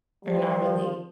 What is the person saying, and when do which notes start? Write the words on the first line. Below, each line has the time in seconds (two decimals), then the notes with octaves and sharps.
Or, not really?
0.25 F3 G3